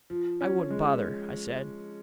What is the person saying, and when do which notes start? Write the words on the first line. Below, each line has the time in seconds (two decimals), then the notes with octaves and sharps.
"I wouldn't bother," I said.
0.10 F3
0.41 C#4
0.70 G#3